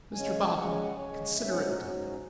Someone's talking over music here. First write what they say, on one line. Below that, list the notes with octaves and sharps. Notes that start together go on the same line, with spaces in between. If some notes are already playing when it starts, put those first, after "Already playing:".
'Mr Boffin, consider it done.
C#3 G#3 C#4 G#5
C#3 G#3 C#4 F#5
G#5
F#5
C#3 G#3 C#4 C#5
G#2 F#3 C#4 E5
F#5
F#4
G#2 F#3 C#4